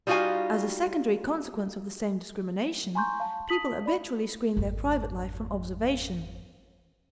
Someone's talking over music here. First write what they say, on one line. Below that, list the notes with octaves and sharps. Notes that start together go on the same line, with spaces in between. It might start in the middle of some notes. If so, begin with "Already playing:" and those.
As a secondary consequence of the same discrimination, people habitually screen their private life from observation.
G3 D#4 F4 F#4 F5 G#5
G#5 A#5 C6 C#6 G6
F5 A5
A5 D#6 B6 F#7
D5 B5
G#1 F2